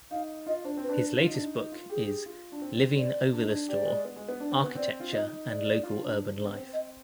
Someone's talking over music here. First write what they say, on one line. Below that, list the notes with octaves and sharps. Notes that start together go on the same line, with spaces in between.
His latest book is Living Over the Store: Architecture and Local Urban Life.
D#4 F5
F4 D#5
D4 C5
C4
B4
D4
F4
D#4
D4
D#4
D#4
F4
G4 G#4
F4
D4
C4
D5
D4
D#4
D4
G4 D5
G#3
B3
G#3
B3
D4
C4
B3
C4 D5
F4
D#4 D#5
D5
F4
D4
B3
C4 C5
D#5